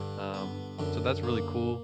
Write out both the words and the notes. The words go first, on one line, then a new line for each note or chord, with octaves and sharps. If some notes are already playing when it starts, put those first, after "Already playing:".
um, so that's really cool
Already playing: G2 D3
B3
F#2 D3
A#3